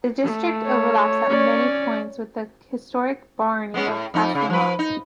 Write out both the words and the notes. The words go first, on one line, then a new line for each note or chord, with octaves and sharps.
The district overlaps at many points with the historic barony of Castleknock.
A3
C#5
C#4 D5
G#3 B3 C#4
A2
F2 D#4
C#3
F3 B4
D#4